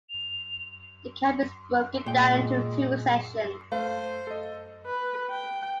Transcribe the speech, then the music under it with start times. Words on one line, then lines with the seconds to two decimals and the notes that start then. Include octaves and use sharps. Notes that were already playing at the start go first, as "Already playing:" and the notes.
The camp is broken down into two sessions.
0.10 F7
2.06 A#2 G#3 G5
3.72 A3 C5 F5
4.27 A4 D#5
4.86 B4
5.30 G5